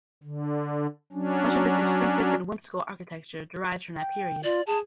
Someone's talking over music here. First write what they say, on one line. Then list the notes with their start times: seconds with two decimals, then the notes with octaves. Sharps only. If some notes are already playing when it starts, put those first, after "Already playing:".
Much of its distinctive and whimsical architecture derives from that period.
0.24 D3
1.12 F#3 C#4 D4
3.97 G5
4.44 F4 D5
4.67 G#4 A5